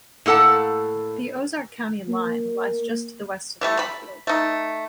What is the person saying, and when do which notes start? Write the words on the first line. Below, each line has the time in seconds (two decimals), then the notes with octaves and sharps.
The Ozark County line lies just to the west of Caulfield.
0.26 A2 A#3 A4 F#5 A5
2.09 A#3
3.61 E3 G3 A3
3.79 B5
4.27 A3 D#4